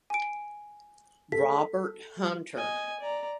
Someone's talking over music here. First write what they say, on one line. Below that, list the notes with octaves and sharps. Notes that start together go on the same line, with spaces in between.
Robert Hunter.
G#5 D7
A4 B6
D#5 G#5
D5 A#5